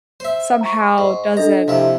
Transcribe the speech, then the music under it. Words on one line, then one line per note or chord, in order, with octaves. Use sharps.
somehow doesn't
C5 E5
A#5 C#6
G#2
D4 A4 D#5 A#5
C3 F3 E4